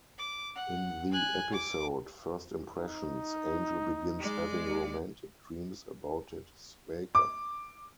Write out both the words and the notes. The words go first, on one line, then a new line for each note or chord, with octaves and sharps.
In the episode "First Impressions", Angel begins having romantic dreams about his maker.
D6
F#5
G#5 F#6
D6
D#4
G#3 D5
D6